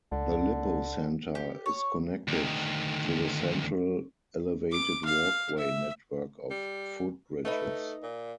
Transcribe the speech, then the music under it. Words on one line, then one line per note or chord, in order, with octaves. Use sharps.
The Lippo Centre is connected to the Central Elevated Walkway network of footbridges.
C#2 D3
G4
C#5
D2 D#3
D6
F5
E5
G3
A3 D#4 B4 D#5
A#2